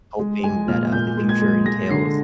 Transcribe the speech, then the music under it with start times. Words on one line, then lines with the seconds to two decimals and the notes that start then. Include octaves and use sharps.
hoping that, uh, the future entails,
0.19 G#3
0.44 G#3 G#5
0.68 A#2 F6
0.92 A#2 G6
1.17 G#3
1.29 G#6
1.41 G#3
1.66 G#3 A#6
1.90 D3 C7